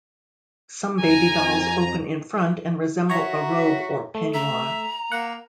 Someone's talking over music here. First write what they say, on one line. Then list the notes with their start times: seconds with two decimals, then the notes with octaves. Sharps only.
Some babydolls open in front and resemble a robe or peignoir.
1.00 F2 G#5 A#5
3.10 F#4 C#5 E5 A#5
4.15 A3
4.34 E5 A#5
5.12 A#3 F#5